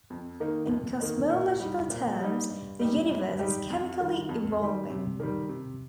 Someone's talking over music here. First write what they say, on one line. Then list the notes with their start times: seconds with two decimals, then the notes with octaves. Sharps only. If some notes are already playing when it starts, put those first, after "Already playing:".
In cosmological terms, the universe is chemically evolving.
0.10 F2
0.40 D#3 A#3 D#4
0.69 F2
1.00 D#3 A#3 D#4
1.30 A#2
1.60 G3 D#4
1.90 A#2
2.20 G3 D#4
2.49 G2
2.79 G3 D#4 G4
3.09 G2
3.39 G3 D#4 G4
3.70 F2
3.99 D#3 G3
4.29 F2
4.60 D#3 G3
4.90 C3
5.20 D#3 G3
5.49 C3